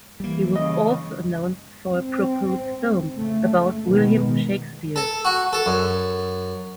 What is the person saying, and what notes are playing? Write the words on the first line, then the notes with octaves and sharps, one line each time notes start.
He was also announced for a proposed film about William Shakespeare.
E3 G3 A#3
C#3 D#5
C4
C#3 A3
B2 D#3 G#3 B3
A4
F#4
A4
F#2